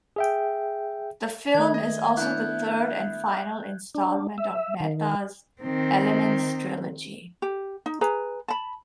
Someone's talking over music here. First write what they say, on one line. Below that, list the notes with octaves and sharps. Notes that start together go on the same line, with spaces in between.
The film is also the third and final instalment of Mehta's "Elements trilogy".
G#4 E5 G5
D#3 A3 G#6
D#5 E5
B3 D4 E4 F#6 G6
D4
E5
D#3
D#3 C4
G4
D#4
G#4 B4 A#5
A5 B5